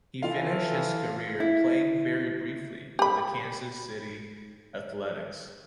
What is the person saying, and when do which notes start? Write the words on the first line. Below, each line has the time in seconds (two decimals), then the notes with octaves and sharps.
He finished his career playing very briefly with the Kansas City Athletics.
0.22 E3 F4 A4 F5
1.40 E4
2.99 G4 B5